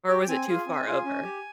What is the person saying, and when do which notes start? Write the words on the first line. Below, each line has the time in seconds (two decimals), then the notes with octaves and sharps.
Or was it too far over?
0.09 G4 G5
0.22 G5
0.28 C4 G#5
0.47 F4 G#4
0.66 C4
0.85 F4 G#4
1.04 C#4
1.23 G4